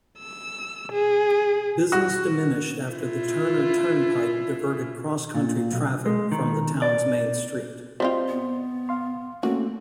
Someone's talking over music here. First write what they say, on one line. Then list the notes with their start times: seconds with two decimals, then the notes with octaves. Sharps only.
Business diminished after the Turner Turnpike diverted cross-country traffic from the town's main street.
0.19 E6
0.92 G#4
1.92 F#4
2.90 E4 F4
5.34 A#2
5.72 B1
6.06 G#3
6.32 D#3
6.82 D5
8.00 G3 C4 F4 C5 D#5 C6
8.28 B3
8.89 F5 C6
9.43 A3 A#3 C4 C#4 F#4